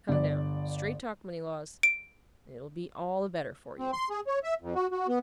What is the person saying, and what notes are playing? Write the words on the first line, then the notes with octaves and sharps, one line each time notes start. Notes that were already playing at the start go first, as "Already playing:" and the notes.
"Come now--straight talk, Moneylaws!--and it'll be all the better for you."
G1 D5
D7
C4
C6
G#4
C#5
E5
F2
F#4
F#4
B3